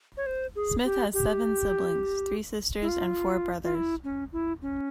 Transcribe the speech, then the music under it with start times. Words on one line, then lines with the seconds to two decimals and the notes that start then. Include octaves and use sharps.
Smith has seven siblings; three sisters and four brothers.
0.17 C#5
0.26 C5
0.56 G#4
0.85 G4
1.14 G4
2.82 E4
2.88 F4
3.64 F4
3.75 E4
4.04 C#4
4.33 E4
4.62 C#4